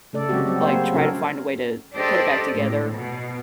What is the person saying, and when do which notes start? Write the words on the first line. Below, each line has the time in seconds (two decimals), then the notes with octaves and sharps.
Like, try to find a way to put it back together,
0.13 C#3 A3 A4 D5
0.29 C#3 F#3 G#3 C4 F#4 G4
0.45 F#3 G3 C4
0.61 A#3 C5 C#5
0.93 C#3 C#4 F#4 A4 A#4
1.94 D4 G4 A4 C5 D5 D#5
2.54 A2
2.96 B2